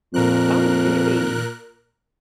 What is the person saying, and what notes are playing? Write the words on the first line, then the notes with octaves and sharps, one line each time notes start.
Oh, did he?
F2 A#2 A#4 F#6